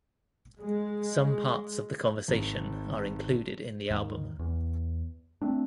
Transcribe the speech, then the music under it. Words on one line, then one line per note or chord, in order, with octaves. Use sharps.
Some parts of the conversation are included in the album.
G#3
G#1
D#2 G#2 D#3
E2
A3 C4 D4